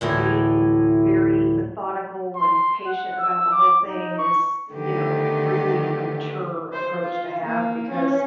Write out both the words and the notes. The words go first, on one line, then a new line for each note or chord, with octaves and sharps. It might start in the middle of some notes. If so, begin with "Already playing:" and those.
being very methodical, and patient about the whole thing is, you know, really, a mature approach to have, because
D2 A2 E3
C6
F#5
E6
D6
D#4
C#6
D3 D#3 A3 B3 G4
C5
F4
A#3
C#4